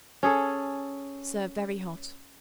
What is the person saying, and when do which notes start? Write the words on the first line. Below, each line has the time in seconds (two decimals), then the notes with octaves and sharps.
Serve very hot.
0.23 C#4 G#4 A4